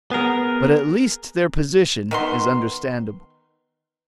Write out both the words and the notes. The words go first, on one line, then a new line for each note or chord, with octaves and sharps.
But at least their position is understandable.
B3 G#4 A#4
D#3 B3 C6